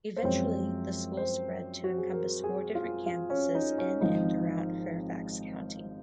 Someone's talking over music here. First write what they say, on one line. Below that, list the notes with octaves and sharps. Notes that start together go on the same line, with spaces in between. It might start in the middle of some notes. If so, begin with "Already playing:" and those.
Eventually the school spread to encompass four different campuses in and throughout Fairfax county.
C5
F#2 F3 G#3 C4 C#5
C5
F#4
G#4
A#4
G#4
F4
F4
C#4
D#4
C#4
G#1 G#2 F3 C4 D#4